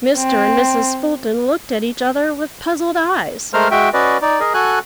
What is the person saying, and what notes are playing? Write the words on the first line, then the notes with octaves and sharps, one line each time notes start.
Mr. and Mrs. Fulton looked at each other with puzzled eyes.
C4
G#3 A3 A#4 C5 F6
G#3 F#4 E5 G5
C#4 F#4 B4 D5 D#5
D#4 D5
G#4 A#4 D#5
F#4 A4 G#5 F#6